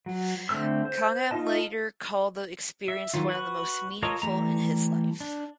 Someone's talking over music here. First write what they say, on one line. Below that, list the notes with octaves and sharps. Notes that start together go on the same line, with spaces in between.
Canham later called the experience one of the most meaningful in his life.
F#3
D3 A3 C4 E6
C5
D#4 F4 D#5 A5
E5
D#3 F#3 F4
F#4 B4
F4 A4 A#4 C#5 D#5
E3 G3 A3 A#5
D4